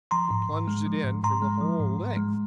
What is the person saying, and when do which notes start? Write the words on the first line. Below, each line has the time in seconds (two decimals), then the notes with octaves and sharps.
He plunged it in for the whole length.
0.11 F3 A#5 C6
0.31 G#2
0.49 G#2
0.68 G#3
0.86 F3
1.04 G#2
1.23 G#2 A#5 C6
1.42 G#3
1.61 F3
1.80 G#2
1.98 G#2
2.17 G#3